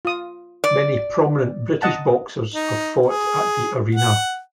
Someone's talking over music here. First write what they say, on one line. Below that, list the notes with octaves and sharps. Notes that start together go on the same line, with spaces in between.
Many prominent British boxers have fought at the Arena.
F4 D#6
D5
D#5 F#5 A5
D#4
G#4
F#5